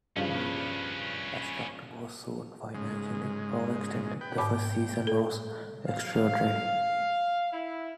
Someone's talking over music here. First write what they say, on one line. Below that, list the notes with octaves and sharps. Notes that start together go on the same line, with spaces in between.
Although Astruc was soon financially overextended, the first season was extraordinary.
G2 C#3 F3 C#4 B4
G#2 C#3 G#3
B4 G5
G#2 G5 B5 D6
A4
F5
E4